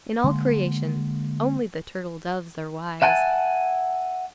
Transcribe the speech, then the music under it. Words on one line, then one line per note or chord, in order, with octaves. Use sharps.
In all creation, only the turtle-doves are wise.
D3 G#3 A#3
E5 F#5 G#5 A5